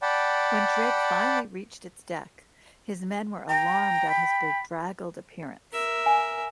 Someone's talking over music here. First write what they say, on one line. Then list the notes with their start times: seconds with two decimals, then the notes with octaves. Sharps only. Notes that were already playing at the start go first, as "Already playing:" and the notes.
When Drake finally reached its deck, his men were alarmed at his bedraggled appearance.
0.02 D5 F#5 G5 A5 B5
3.49 G5 A#5
4.10 B5
5.72 A#4 E5
6.06 G#5